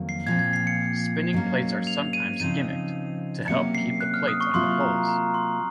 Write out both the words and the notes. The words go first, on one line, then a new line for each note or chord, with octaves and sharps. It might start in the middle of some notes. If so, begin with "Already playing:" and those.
Spinning plates are sometimes gimmicked, to help keep the plates on the poles.
Already playing: F2 D#3 F#3 A#3
C7
A#2 F3 C4 G#6
G#6
C7
C#7
G#2 F#3 A#3 C#4
F7
D#7
C#3 F3 C4 D#4 D#7
C3 F#3 A#3 C#4 C#7
C7
F#6
F6
D#6
C#6
C3 F#3 A#3 F4 C6
A#5
A#5
C6